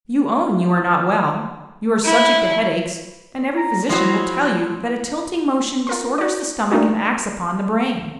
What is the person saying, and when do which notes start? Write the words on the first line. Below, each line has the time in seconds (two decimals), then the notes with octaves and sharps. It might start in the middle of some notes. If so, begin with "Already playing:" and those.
You own you are not well; you are subject to headaches; and every physician will tell you that a tilting motion disorders the stomach and acts upon the brain.
2.05 E4
3.57 A#5
3.89 F3 F#3 E4
5.87 F4 A#4 C6
6.18 F#4 D5
6.71 G3 A3 A#3 D4 D#4 F#4